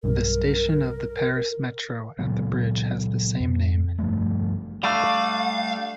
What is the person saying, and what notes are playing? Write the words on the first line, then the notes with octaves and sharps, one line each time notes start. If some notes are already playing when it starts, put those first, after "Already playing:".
The station of the Paris Metro at the bridge has the same name.
B1 G2 A#4
A#2 C#3 F#3 B3
F2
G2 F3 G3 A3
G3 A3 D4 F5